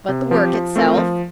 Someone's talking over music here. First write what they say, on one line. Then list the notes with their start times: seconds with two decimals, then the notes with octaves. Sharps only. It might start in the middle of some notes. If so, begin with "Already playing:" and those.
"But the work itself?"
0.09 C3
0.31 F3 C4 G4
0.53 F3
0.76 A3 C4 F4 A#4
0.97 F3